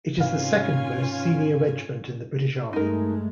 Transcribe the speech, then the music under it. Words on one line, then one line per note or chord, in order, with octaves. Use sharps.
It is the second-most senior regiment in the British Army.
G#2 C3 D#3 C#4 F4 B4 F5 G#5
G2 G#3 A3 D#4 A#4